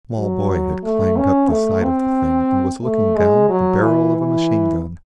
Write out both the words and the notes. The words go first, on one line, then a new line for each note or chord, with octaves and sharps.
A small boy had climbed up the side of the thing and was looking down the barrel of a machine gun.
F#3
A3
C#4
A3
C4
A3
G#3
F#3
E3
E3